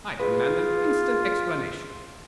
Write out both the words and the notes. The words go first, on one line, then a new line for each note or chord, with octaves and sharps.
I demand an instant explanation.'
F4 G#4 B4